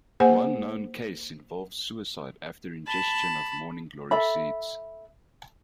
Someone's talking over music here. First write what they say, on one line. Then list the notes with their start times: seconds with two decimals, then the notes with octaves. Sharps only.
One known case involves suicide after ingestion of morning glory seeds.
0.20 A#3 G#4 C5 F#5 G#5
2.87 A5 B5
4.11 A4 E5 B5